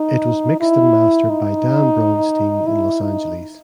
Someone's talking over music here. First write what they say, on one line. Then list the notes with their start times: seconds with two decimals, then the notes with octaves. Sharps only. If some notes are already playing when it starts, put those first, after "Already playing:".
It was mixed and mastered by Dan Braunstein in Los Angeles.
Already playing: D#4
0.61 E4
1.30 D#4
2.67 E4
3.01 D#4